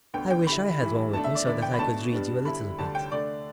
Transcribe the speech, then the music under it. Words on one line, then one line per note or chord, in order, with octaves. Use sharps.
I wish I had one with me, so that I could read you a little bit.
D2 D3 B3 G5
G5
D3 G3 E4 B5
G2 E3 G3 E4
B2 A3 D4 A5
E5
D5
E2 D3 B3 E4 D5
G5
B5
B2 A3 D4 A5
G2 G3 B3 D4
D3 G3 E4 B5
D2 D3 G3 D4 A5
G5
D3 A3 D4 D5